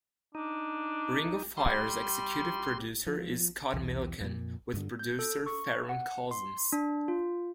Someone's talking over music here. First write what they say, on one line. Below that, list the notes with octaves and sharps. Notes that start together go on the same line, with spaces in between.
"Ring of Fire"s executive producer is Scott Millican, with producer Farron Cousins.
D4 D#4
G3 C6
F3
B1 E2 E3
F2 A#2
G2 D3
G6
A4
C#6
F#5
C6
D4
F4